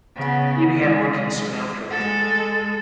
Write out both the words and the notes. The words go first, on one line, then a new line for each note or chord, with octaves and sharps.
He began working soon after.
C#3 B3
G#3
G#3 A4